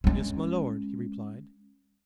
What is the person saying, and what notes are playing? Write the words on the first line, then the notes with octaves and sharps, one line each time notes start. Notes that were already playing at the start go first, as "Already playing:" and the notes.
"Yes, my lord," he replied.
G#3 C#4